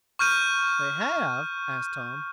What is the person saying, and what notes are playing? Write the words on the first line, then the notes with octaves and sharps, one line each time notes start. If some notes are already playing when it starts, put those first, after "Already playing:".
"They have?" asked Tom.
C#6 F6 G6 D#7